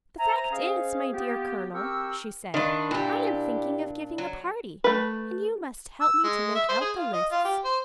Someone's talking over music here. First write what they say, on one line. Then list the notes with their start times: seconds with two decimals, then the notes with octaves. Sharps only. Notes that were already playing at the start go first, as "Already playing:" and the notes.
"The fact is, my dear colonel," she said, "I am thinking of giving a party, and you must help me to make out the lists."
0.18 C5 E5 G#5 A#5
0.51 C#4 G#4 C5 D#5 F5
1.12 A#3 B3 F4 G4
1.73 C4 G4 A#4 G5 C#6 E6
2.54 D#3 D4 F4 B4
2.91 A#2 E4 G4
4.18 F#3
4.84 A3 B4
6.01 E6
6.24 G#3
6.55 E5
6.69 C5
6.81 G#4
6.97 F4
7.13 D#5
7.31 F4
7.45 G4
7.65 C5